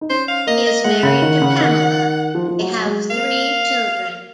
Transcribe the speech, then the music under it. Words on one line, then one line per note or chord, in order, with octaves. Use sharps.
He is married to Pamela; they have three children.
D#4
C#4 C5
F5
A#3 D#5
D#5
G#3 F#5
C#3
D#3
C#3
D#3
F3
F3
F#3
F#3
G#3
A#3 F5